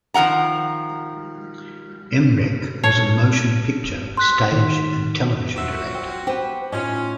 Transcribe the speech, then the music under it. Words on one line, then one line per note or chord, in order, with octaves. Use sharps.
Emrek was a motion picture, stage and television director.
D#3 F3 A#4 F#5 A#5
C#5 A5
C6 F#6 B6
D#3
F#3 F4 F#4 C5 E5
C4
G4 B4 C5 F#5 G5
A2 A3 C#4 D#4 F4